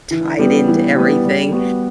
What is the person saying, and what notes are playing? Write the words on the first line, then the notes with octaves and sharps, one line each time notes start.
tied into everything.
E3
G3 B3
E3
G3 B3
G3
B3 F#4